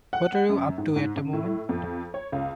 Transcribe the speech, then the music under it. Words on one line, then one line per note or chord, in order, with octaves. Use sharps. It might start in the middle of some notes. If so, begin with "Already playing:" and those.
What are you up to at the moment?
F#5
F#2
G#2
G#2
C#3
A2
F2
C#5
C#2